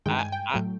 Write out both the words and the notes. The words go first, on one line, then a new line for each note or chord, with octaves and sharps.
I I
G2 D#3 G#3 G5
G#5
G5
A2 F#3 A3